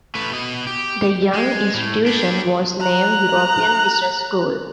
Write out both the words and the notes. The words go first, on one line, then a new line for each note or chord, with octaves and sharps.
The young institution was named European Business School.
A3 B4
B2 D#5
G4
G#3
A2
G3 D4
A#5 F#6